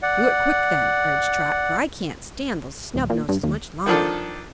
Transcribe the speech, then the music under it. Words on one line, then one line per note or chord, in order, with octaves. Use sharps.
"Do it quick, then," urged Trot, "for I can't stand those snubnoses much longer."
D5 F#5
D1
A#2
G2
D#2
D#3 F3 D4 A4